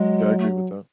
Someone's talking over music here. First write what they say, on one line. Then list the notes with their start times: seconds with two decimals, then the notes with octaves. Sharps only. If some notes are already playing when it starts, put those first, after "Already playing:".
Yeah, I agree with that.
Already playing: F#3 G#3
0.39 A3